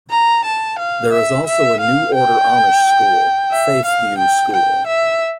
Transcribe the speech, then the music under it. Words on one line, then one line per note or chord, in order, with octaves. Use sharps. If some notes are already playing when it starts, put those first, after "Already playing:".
There is also a New Order Amish School, Faith View School.
A#5
A5
F5
E5
E5
F5
G5
E5
F5
G5
G5
E5